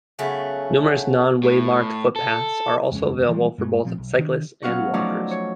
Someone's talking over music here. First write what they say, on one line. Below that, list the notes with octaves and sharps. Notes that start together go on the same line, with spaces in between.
Numerous non-waymarked footpaths are also available for both cyclists and walkers.
C#3 F#3 A3 B3
A2
A4
F#1 E2 G#3 C#4
E3 F3 G3 G#3
G2 G#3 A3
A1 A#2 F3 C4
B1
D#3 D4
F#3 B3 C#4 F5 F#5 C#6
F3 F#3 A3 C#4 D#4 D5
C#5